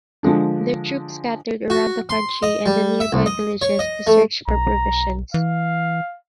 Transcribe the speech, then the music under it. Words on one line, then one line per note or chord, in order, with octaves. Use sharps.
Their troops scattered around the country and the nearby villages to search for provisions.
D3 F3 G#3 D4
F#4
C6
D#5
G3
E5
C2
D#5
C#5
D#5
A3
B1 A#5
E3 F5